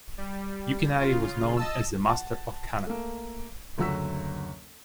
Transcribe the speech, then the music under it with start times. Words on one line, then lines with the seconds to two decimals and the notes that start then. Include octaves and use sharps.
Yukinari was known as the master of kana.
0.18 G3
0.96 C#3 F4
1.57 D#5 A5 E6
2.06 F#5 A5
2.87 A3 A#3
3.78 F#1 D2 F#3 F#4 E6 B6